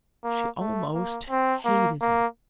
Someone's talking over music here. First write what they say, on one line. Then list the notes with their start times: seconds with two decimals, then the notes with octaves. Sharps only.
She almost hated him.
0.24 A#3
0.60 A3
0.94 A#3
1.30 C4
1.65 A#3
2.01 A#3